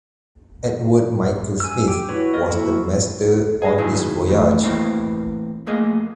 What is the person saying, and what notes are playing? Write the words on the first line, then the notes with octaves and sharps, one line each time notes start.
Edward Michael Smith was the master on this voyage.
G#5 E6
G4
E4 F#4 B4 C#5
B3 A#4 D#5
A#3 E4 F#4
G#4 D#5
B1 D#3 F#3 E4 G#4
E2 A2 A3
A2 E3 A#3 C4
F2 A3 A#3 G#4 D#5